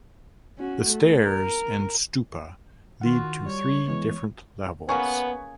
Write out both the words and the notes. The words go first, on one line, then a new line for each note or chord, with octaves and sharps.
The stairs in stupa lead to three different levels.
C#4 F#4
A3
A#4
D#3 F4 F#4 F#5
G3 C#5
E3 G#3 B3 C#5
A#3 B3 C#4 G#4 B4 C#6